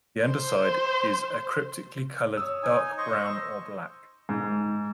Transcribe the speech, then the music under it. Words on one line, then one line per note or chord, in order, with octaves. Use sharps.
The underside is a cryptically coloured dark brown or black.
C5
C#5 D#6 E6
D#4 G#5
C5 D#5 C#6
E6
G#2